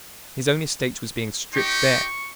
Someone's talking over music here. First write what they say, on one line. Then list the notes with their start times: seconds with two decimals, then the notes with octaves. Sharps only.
His own estate was being stripped bare.
1.54 D#4 G4 C#6